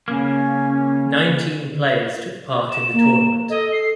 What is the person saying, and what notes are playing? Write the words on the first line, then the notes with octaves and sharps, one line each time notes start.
Nineteen players took part in the tournament.
C#3 A#3 C#4
E7
A#3
A4 D#5
C7